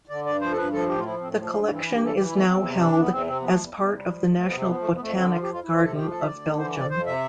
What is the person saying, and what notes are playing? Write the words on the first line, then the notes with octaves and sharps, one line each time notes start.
The collection is now held as part of the National Botanic Garden of Belgium.
D3 D5
G2 D5
F3 C5
A4
G2 B4
F3 A4
A2 G4
F4
F3 E4
A2 C4
A3
F3
A3
G2 G3
A3
E3
C4
G2 E4
G4
E3
A4
E3 G4
E4
E2 G3 A3
E2 C4
C3
E3 D4
E2 B3
E2 C4
C3 C4
F3 B3
A3
E2 G3
E2
B3
C3
G3
F3
F2
F2 A3
B3
C3
C4
F3 B3
A3
F2
B3
F2 A3
D3 C4
F3 F4
G4
F2
F4
F2 E4
F4
C3 A4
F3 G4
D2 A4
E5
D2 D5
D3
E3 C5
F2 D5
F2 C5
C3 E5